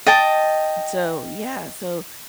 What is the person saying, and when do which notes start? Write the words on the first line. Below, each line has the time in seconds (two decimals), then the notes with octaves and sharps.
And so, yeah. So,
0.07 D#5 G5 A5